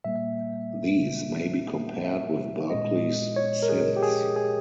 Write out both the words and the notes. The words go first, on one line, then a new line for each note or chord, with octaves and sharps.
These may be compared with Berkeley's "Sins".
A#2 G3 A#3 E5
E5
A#2 G#3 D#5
C#5
A#4
G#4
G4
G#4
G#4